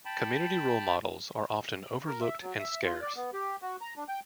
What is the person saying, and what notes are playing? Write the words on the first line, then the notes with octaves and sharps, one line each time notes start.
Community role models are often overlooked and scarce.
G5 A5 B5
A#4
E5
F#3
E5
F4
D5
B3
G4
F#4
A#5
D4
G5